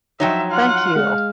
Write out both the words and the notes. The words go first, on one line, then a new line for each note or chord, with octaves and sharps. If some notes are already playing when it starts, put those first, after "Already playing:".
Thank you.
F3 F#3 D#4 C#5 E5 G5
F4 F#5
G#3 F5